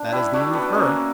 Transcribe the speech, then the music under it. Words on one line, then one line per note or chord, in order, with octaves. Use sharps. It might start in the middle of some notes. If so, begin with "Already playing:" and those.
That is the end of her.
Already playing: D4
E4 G4
D4 F#4
B3 D4
A#3 C#4